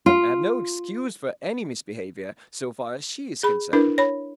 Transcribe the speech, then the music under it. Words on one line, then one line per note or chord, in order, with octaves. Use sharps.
I have no excuse for any misbehaviour--so far as she is concerned.
F4
G#4 B5
D4 E4 A#4 B4
C#5 B5